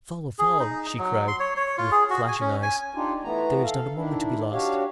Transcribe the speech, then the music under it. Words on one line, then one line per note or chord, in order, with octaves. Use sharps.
"Follow, follow!" she cried, with flashing eyes; "there is not a moment to be lost."
G#4
D#4
F#3
C6
C#5
C#5
F4
G#4
F#4
G#5
C#4
G#5
D4 D#4 F4 G4
E3 A3 B3 A#5
A4 F5
D#3 D4 E4
D4 F#4 G4 C#5 F5